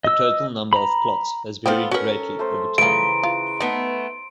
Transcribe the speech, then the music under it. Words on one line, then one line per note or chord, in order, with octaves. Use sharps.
The total number of plots has varied greatly over time.
D#5 E6
A#5 B5
A#3 B3 F4 A4 C5 G5
C#4 F#4 A#4 B4
A3 A4 C5
C#3 E3 F3 A3 C5 A#5 D7
F4
A3 B3 D#4